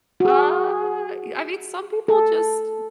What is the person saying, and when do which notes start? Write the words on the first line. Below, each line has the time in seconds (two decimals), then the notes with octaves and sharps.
Uh, y I mean, some people just
0.20 F#4 G#4
2.08 A4